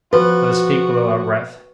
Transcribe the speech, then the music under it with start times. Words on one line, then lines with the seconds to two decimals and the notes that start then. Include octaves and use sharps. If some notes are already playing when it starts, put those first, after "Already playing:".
"Let us speak below our breath."
0.13 F3 F#4 B4